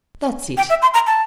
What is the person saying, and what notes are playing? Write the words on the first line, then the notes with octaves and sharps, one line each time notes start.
That's it.
G5
E5
C6
A#5
A5